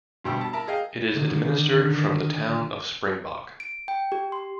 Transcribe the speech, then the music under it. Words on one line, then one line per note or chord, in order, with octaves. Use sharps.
It is administered from the town of Springbok.
F1 D2 B2 G3 G5 E6
A5
E4 A#4 E5 A5 A#5
G#4 D#5 F5 G5
D3 D#3
D7
G5
G4
C6